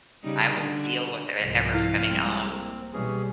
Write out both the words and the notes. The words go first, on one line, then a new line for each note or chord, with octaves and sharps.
I will deal with, er, 'ever's coming on
C#3 G3 D#4
D3
C2 G#2 F3
E4 F5 F6
G3 G#3 C4
A#3
B2 E3 G3 C#4 G#4